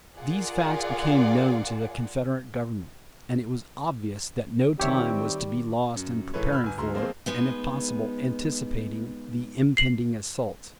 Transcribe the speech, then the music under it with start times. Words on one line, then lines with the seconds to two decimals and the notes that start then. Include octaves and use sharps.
These facts became known to the Confederate Government, and it was obvious that no time was to be lost in preparing for, and if possible anticipating the impending assault.
0.19 F4 G#4 A#4 D5 F#5 G#5
4.80 D#3 G3 C4 G4 C#5 E5 C#6 D6
5.96 F#2
6.34 G#2 E3 E4 A4 B4 C#5
6.52 B5 E6 F6
6.64 G1 G#5
6.78 D2 G#4 A#5 C6
6.94 F3 G#3 A#3 C4 G#4 C5
7.26 G#3 B3 D#4
9.77 C7 F#7